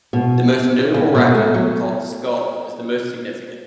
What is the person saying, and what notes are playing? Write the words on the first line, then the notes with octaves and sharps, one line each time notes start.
The most notable rapid, called "Skull", is the most significant.
B2
C#3
B2
A3
F#3